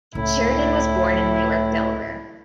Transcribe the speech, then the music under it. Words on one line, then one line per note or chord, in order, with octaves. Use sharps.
Sheridan was born in Newark, Delaware.
C#2 A2 E4